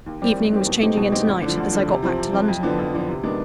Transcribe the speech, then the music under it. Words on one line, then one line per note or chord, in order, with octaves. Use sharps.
Evening was changing into night as I got back to London.
D#2
D#3 G3 C4 G4
D#2
D#3 G3 C4 G4
B2
G#3 C4 D#4 G4
B2
G#3 C4 D#4 G4
D2
D3 F3
D2
D3 F3
C3
F3 C4
C3
F3 C4
F2
D3 F3 B3
F2
D3 F3 B3
C3
D#3 G#3 B3 D4